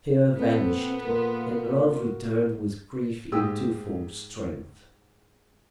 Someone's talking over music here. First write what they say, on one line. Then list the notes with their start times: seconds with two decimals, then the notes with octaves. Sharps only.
Fear vanished, and love returned with grief in twofold strength.
0.36 A#2 B3 C4 A4
1.05 A#2 A#3 F4 A#4
1.68 F4 A#4
2.00 F#4
3.32 G#2 G#3 G4 G5 D#6 E6